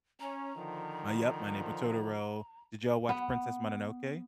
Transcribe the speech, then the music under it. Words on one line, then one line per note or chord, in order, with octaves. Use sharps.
My Yep, My Neighbor Totoro. Did y'all watch Princess Mononoke?
C#4 A#5
D3 D#3 F3
B3